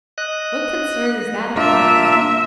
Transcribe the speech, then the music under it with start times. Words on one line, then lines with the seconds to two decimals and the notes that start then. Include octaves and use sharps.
"What concern is that of mine?"
0.18 D#5 F#6
1.57 A#3 D4 F4 E5